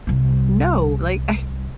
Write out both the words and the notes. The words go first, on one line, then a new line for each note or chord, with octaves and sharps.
"No, like, I
C2 G3